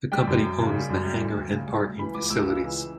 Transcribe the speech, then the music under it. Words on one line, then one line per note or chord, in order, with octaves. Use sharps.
The company owns the hangar and parking facilities.
G3 G5
F#2
F#2
C#3
G3
F#2
G3
D2
D2
C#3
G3
D2
E3 B5
C#2 D6
C#2 E6
C#3
E3